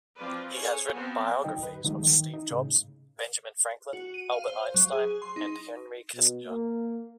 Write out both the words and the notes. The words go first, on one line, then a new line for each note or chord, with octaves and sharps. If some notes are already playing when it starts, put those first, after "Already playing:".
He has written biographies of Steve Jobs, Benjamin Franklin, Albert Einstein, and Henry Kissinger.
F3 C4 F4 B4 D5
G#4 C#5 G#5
F3 B3 C4 F#4 C5
D3 F#3 D#4 A#4 D#5 G5
B4
D3 D#3 F3 G3 G#3 D#4
D#3
D#4
A2 C#3
F#4
D#7
F5
C5
F#3
G#4
C6
D#4
B2
A#3